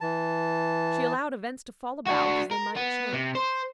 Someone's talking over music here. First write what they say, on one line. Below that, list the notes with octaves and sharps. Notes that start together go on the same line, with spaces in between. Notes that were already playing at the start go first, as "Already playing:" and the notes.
She allowed events to fall about as they might chance.
E3 A5
D4 F#4
A#4
B3
C3
C5